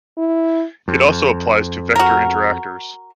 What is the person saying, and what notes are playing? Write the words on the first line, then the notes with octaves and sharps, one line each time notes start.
It also applies to vector interactors.
E4
F2
F#4 A#4